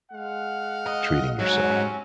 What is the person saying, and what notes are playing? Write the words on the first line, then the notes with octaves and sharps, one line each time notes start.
Treating yourself?
G#3 F5 F#5
D#5
G#2 F#3
C3 C4 C#4